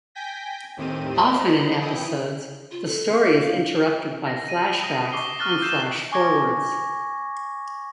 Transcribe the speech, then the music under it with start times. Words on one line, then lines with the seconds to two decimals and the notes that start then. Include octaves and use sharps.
Often in episodes, the story is interrupted by flashbacks and flash-forwards.
0.15 G5 G#5 G6 A#6 B6
0.77 D#2 A2 D#3 C4 G4 D#7
1.13 C5 D5 D#5 A#5 B5
1.78 E3 E4 G5 D#6 D#7
2.71 F4
2.85 A4
3.13 A#4
3.41 F5
4.27 A#6
4.49 D#7
4.83 D#6
5.12 C#6 D6 C7 G7
5.39 C#6 F6 F#6 A6 G7
5.61 E6 G6 C7 E7 G7
6.12 G#5 C#6 D6 G#6 A#6